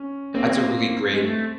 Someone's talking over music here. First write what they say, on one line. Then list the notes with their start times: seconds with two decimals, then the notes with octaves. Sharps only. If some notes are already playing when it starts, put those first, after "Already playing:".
That's a really great,
Already playing: C#4
0.34 A#3 C4
1.13 G#3
1.23 A3